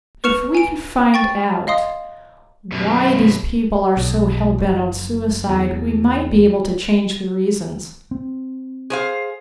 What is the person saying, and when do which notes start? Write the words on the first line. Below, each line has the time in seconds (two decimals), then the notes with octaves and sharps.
If we can find out why these people are so hell-bent on suicide we might be able to change the reasons.
0.24 B4 C#6 F6 C#7 E7 F7
0.55 G#5 D7
1.14 G5 C#6 A6
1.67 D#5 F5 C6 D#6
2.72 F#2 B2
3.97 B1
4.58 F#1
5.49 E2
8.11 C4
8.90 G#4 C5 F5